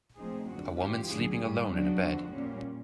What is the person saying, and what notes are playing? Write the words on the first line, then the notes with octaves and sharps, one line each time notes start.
A woman sleeping alone in a bed.
A#2 F3 A3 C4 D#4 G#4
F2 D3 F#3 A#3 F#4
G#2 E3 G#3 C#4 F4 G4
D2 D3 F#3 A3 G#4
G#2 D#3 G3 A#3
C#3 F#3 B3 D4 F#4
F2 D3 F3
A#2 G3 A#3 C#4